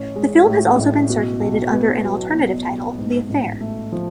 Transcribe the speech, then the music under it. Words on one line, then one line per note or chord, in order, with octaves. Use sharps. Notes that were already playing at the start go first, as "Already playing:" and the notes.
The film has also been circulated under an alternative title, "The Affair".
Already playing: A1 A2 C#4
G#3
A2
A1
B2
B1
B3
F#3
B2
B1
G#2
A1
A3
F3